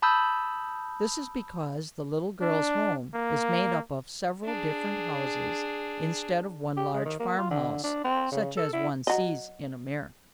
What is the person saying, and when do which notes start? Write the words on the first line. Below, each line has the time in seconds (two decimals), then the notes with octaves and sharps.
This is because the little girl's home is made up of several different houses, instead of one large farmhouse, such as one sees in America.
0.02 A5 B5 D#6 E6 G6
2.41 D4
3.14 A#3
4.44 D4 G#4
6.77 G4
6.94 G#3
7.05 D#3
7.20 A#3
7.38 F4
7.51 D3
7.84 D4
8.04 C4
8.32 C#3
8.57 A4
8.73 E4
9.07 F#3 D#5